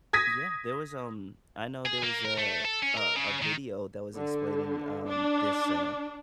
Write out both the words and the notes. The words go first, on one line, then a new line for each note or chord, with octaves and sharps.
Yeah, there was, um, I know there was a a a video that was explaining, um, this, uh
D#6 G#6 A#6 B6 D#7
G#4
A#3
A#4
A3
A4
C#4
A#4
C#3
D#3
D3
D4